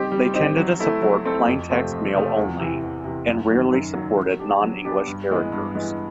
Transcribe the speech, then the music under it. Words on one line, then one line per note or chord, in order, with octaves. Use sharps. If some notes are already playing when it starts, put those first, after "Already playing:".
They tended to support plain text mail only, and rarely supported non-English characters.
Already playing: G3 C4 D#4 G4 C5
G3
C4 D#4 G4 C5
F#3
A3 C4 E4 A4
F#3
A3 C4 E4 A4
F2
C3 F3 A3 C4
F2
C3 F3 A3 C4
E2
C3 E3
E2
C3 E3
F#2
D#3 F#3
F#2
D#3 F#3
F#3
B3 D4 G4
F#3
B3 D4 G4
G2
E3 G#3 B3
G2
E3 G#3 B3